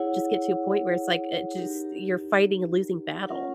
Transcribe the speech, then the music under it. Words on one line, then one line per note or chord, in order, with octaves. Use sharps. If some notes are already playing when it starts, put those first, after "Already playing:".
just get to a point where it's like, it just you're fighting a losing battle.
Already playing: E4 G#4 C#5 F#5
D#4 G4 A#4
C#4 F4 A#4 C#5 F#5